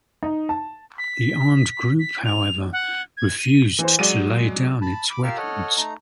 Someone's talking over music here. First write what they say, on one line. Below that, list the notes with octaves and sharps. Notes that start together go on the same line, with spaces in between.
The armed group, however, refused to lay down its weapons.
D#4
A5
B6
B6
F7
F#5
G#6
D#7
E3 C5
F#3 G#3 D5 D#7
A5 B5
B5 D6
F4 G4 A#4 F5 E6 F6
A4 C#5 D#5 F#5 F6
A3 D#4 A#5